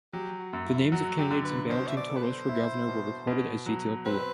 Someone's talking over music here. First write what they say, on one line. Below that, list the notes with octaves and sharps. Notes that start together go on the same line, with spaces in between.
The names of candidates and balloting totals for governor were recorded as detailed below.
F#3 G4
F#4
F#2
E4
F#3 F#4
G4
D3
B4
B2 C5
E5
D5
A4
B4
C5
E4
B2
B2
F#3
C4 B4